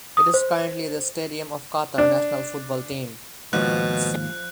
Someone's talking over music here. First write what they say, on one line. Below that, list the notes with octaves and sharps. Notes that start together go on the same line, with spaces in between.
It is currently the stadium of Qatar national football team.
D#6
C5
D4
D#2 G#2 B2 F3 F#6